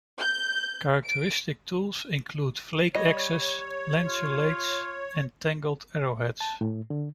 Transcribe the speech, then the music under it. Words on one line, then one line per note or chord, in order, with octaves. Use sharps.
Characteristic tools include flake axes, lanceolates and tanged arrowheads.
G6
D7
G3 C#5 D#5
F4
A5
A2
D3